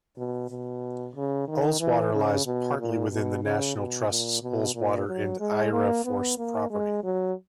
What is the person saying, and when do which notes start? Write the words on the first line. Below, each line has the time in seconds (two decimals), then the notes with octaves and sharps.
Ullswater lies partly within the National Trust's Ullswater and Aira Force property.
0.17 B2
0.50 B2
1.16 C#3
1.48 D#3
1.80 E3
2.14 C#3
2.46 B2
2.79 A#2
3.12 B2
3.44 C#3
3.77 B2
4.09 A#2
4.42 B2
4.75 A#2
5.08 F#3
5.40 G#3
5.73 A#3
6.05 B3
6.38 A#3
6.71 G#3
7.04 F#3